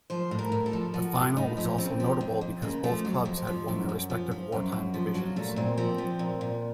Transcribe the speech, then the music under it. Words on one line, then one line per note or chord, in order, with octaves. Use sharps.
The final was also notable because both clubs had won their respective wartime divisions.
F3 C5
A2
A#4
A2
A4
F3
F3 F#4
A2 F4
A2 D#4
F3 C#4
C#3 C4
F3
F2
F2
C#3 A#3
F3 A3
F2 F#3
F2 F3
F3
F#2
F#2
F3
F3
F#2
F#2
F3
F3 F#3
A#2 A3
A#2 C4
F3 C4
F3
A#2
A#2